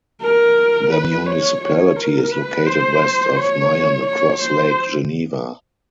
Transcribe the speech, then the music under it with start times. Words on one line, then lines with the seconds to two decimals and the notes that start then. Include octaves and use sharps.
The municipality is located west of Nyon across Lake Geneva.
0.21 A#4
0.91 B4
1.26 C#5
1.61 C#5
1.97 A#4
2.32 B4
2.66 C5
3.36 C#5
4.07 C#5
4.42 C5